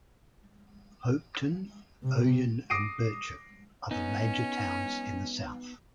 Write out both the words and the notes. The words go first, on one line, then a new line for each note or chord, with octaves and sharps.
Hopetoun, Ouyen and Birchip are the major towns in the south.
C3
D6 D#6 A#6 C7 D7 D#7
B3 C#4 D#4